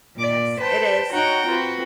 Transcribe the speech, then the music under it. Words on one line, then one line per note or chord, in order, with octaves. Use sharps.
Yes, it is.
A#2 D5
B4 C5 G5 A5
D#4 F#4 C#5 F#5 G5 A#5
C4 F4 F#4 B4